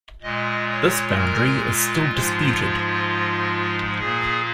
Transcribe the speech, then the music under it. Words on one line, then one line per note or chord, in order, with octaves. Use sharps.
This boundary is still disputed.
A#2 G#3 D#5
C#5
A#4
F4
G#2 F3 G#3
A#2 A#3 G#4